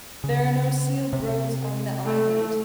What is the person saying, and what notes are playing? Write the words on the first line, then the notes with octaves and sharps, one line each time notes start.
There are no sealed roads on the island.
C#3
C3
A3